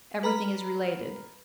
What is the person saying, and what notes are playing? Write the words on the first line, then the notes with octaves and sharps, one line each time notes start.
Everything is related.
B4 A#5 B5 F6